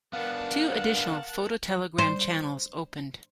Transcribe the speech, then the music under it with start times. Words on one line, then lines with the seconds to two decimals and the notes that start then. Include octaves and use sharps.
Two additional phototelegram channels opened.
0.13 B3 D4 A#4 F5 F#5 A5
1.98 C5